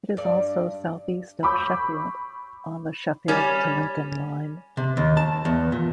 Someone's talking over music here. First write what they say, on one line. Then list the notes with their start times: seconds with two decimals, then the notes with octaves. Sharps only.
It is also south east of Sheffield on the Sheffield to Lincoln Line.
0.17 G2 D5
1.43 B5 C#6 D6 E6 G6
3.28 G3 C#4
4.77 C3
4.97 D#2
5.17 A5
5.45 E2
5.72 A#2